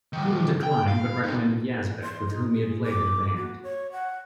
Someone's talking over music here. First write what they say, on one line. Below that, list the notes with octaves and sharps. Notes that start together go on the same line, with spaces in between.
Guettel declined, but recommended Yazbek, with whom he had played in a band.
D#3 G3
G5
F5
C4 D#4
C6
D#4
G#4
D6
F#4
C#5
F#5